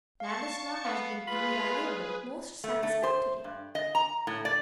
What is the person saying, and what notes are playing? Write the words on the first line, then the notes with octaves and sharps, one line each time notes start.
Ladislaw has been invaluable, most satisfactory.
F5 A5 C#6 C#7
B3 F5
F4 G#4 B4 B5
A3
A3
C5
G2
D#5
A#5
A2
D5